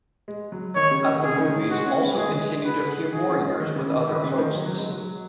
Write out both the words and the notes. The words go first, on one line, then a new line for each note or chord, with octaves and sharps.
"At the Movies" also continued a few more years with other hosts.
G#3
F#3
D#3 C#5
C#3
D#3
C#3 G#4
D#3
G#3 F#4
C#4
B3
G#3 G#4
G#3
G#3
F#4 B4
G#4
F#4 G#4
C#4
G#3
D#3
C#3
D#3
D#3 B4
C#3
D#3
F#3
F#3
G#3
F#3